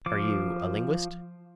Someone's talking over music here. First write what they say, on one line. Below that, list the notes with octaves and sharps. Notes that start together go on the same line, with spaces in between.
"Are you a linguist?"
F3 D6